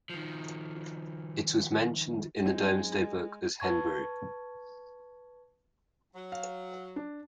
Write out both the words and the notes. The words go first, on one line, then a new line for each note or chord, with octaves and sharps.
It was mentioned in the Domesday Book as "Henberie".
D#3 F3
F#2 G#3 C4 D#4
B4 A5 C#6 G#6
F#3
F5
D4